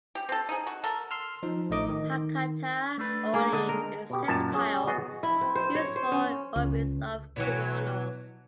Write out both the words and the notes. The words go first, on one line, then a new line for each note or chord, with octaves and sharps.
Hakata ori is a textile used for obis of kimonos.
G4
C4 A4
D#4 G#4
F#4
A4 A#4
C6 E6 F6
F3 D#4
A1 A3 D#4 D#5 D6
D#3
A3 D4 B4
A#3 G#4
D3 G#3 D#5
A#4
B2 G4
F#2 A#2 A5
C#4 G#4 C#5
B3 F#4 G#4 D#5
E4
C4
C5
C#5
C5
C#4
C#2
B2 E3 F#3